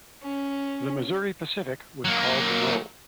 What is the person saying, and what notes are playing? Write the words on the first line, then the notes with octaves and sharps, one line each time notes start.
The Missouri Pacific was called the Mo.
C#4
F#3 A#3